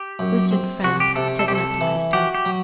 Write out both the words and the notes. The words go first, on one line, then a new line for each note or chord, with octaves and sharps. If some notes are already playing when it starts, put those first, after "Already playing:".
"Listen, friend," said Monte Cristo.
Already playing: G4
F#2
C4
C2 F#4
G4
C3 A4
A4
C2 G4
A4
E3
F#4 G4
G4
F#3